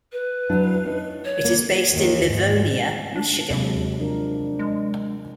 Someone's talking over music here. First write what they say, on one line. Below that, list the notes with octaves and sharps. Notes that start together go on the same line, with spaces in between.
It is based in Livonia, Michigan.
B4
F#3 D4 E4
C#4 D#4
C#5
A#3
D#2
G#2
D4
D#2 C3 F#3 G#3
F3 D4 A#4
G#3